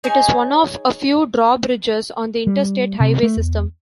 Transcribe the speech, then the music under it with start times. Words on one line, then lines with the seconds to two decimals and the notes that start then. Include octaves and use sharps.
It is one of a few drawbridges on the Interstate Highway System.
0.04 D#4 G#4 C#5 G#5
2.47 G3
3.00 C3
3.23 A3
3.37 E2